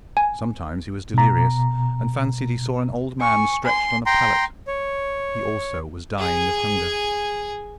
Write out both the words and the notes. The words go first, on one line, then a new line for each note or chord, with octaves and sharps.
Sometimes he was delirious, and fancied he saw an old man stretched on a pallet; he, also, was dying of hunger.
G#5
B2 A#5
G#5 C#6
G#5 C6
G5 A#5 C6
C#5
G#4 G#5